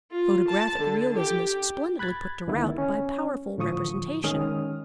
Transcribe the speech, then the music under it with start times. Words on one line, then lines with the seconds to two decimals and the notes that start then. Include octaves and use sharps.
Photographic realism is splendidly put to rout by powerful representation.
0.11 F4
0.48 A5
0.79 D3
1.17 G4
1.99 B5 F#6 G#6 A6
2.47 C#2 D3 D#3 B3 E4
2.78 C#4
3.58 A2 D3 F3 C#6 D#6
4.24 D#3 G#3 C#4 D#6 F6